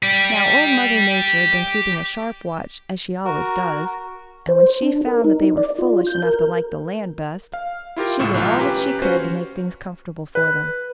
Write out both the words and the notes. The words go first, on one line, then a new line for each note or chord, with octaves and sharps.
Now Old Mother Nature had been keeping a sharp watch, as she always does, and when she found that they were foolish enough to like the land best, she did all that she could to make things comfortable for them.
G4 D5
F#4 A#4
C5
D4
A#4
D#4
D5
F4
G6
A#4
F5
E4 F4 G4 A#4
C#2 A2 A4 E7
B1 E3 E4 F4
C#4 G4 B4 A#5
C#4 F4 F#4 B4 C5
B4